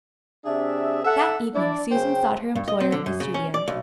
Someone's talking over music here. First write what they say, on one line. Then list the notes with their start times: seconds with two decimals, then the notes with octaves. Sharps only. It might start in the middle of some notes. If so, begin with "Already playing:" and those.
That evening Susan sought her employer in the studio.
0.46 C3 D4 G#4 E5
1.05 A4 E5 F#5
1.55 D4 E4 D5
1.92 C#3 F#3 C5 G5
2.55 G2
2.68 D#5
2.80 C4
2.92 D3
3.06 F#2
3.20 C#3
3.34 C#4
3.54 D5
3.68 B1